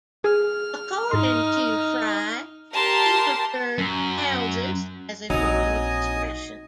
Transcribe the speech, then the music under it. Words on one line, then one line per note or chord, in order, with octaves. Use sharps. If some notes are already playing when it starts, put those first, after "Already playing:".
According to Frey, he preferred houses as a form of expression.
G#4 F6
G#2 D#4 C6
G4 A#4 A5 C6
F#2
A#1 F#3 C4 D#4 D#5 G#5 D#6